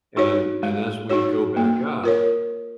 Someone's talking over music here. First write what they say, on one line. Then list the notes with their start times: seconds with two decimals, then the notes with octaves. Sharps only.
and and as we go back up,
0.17 D#4 F#4 C#5
0.63 G#3
1.10 D#4 F#4 C#5
1.57 A#3
2.04 F4 A#4 C#5